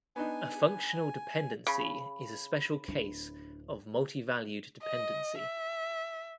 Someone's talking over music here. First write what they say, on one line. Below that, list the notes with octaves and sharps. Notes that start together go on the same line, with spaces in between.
A functional dependency is a special case of multivalued dependency.
B3 D4 D#4 G#5
C#3 B5
D1 D4
D#5
E5